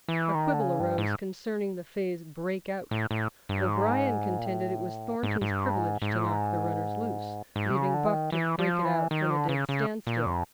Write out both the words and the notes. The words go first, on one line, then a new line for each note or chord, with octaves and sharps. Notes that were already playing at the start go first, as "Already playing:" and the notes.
A quibble arose concerning the phrase "break out." O'Brien contended it was Thornton's privilege to knock the runners loose, leaving Buck to "break it out" from a dead standstill.
E3
D#3
D3
C#3
G2
G#2
A2
A2
G2
G#2
A#2
A2
G#2
G#2
G2
G#2
G#2
A2
G#2
G#2
C3
C#3
D3
E3
D#3
E3
F3
E3
D#3
D3
C#3
C#3
A#2
F2